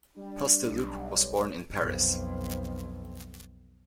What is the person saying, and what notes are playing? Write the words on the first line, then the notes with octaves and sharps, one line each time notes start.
Pasdeloup was born in Paris.
G3 D4
B1
B1 F2